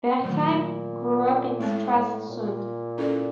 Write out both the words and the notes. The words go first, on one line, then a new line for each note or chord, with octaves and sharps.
Wertheim grew up in Stralsund.
A#2 D#3 F#3 A3
A2 G#3 C4 E4
A2
A#2
C#4 E4 A4 D5